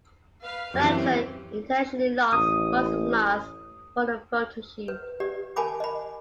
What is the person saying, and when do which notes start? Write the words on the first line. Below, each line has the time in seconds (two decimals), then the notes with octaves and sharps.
Elektra intentionally lost muscle mass for the photoshoot.
0.42 B4 F5
0.74 F#2 E3 C4 G4 C#5
2.33 A1 D#6
4.88 B4
5.20 G4 D5
5.56 A#4 G#5 A5 B5 D6
5.80 D#5 B5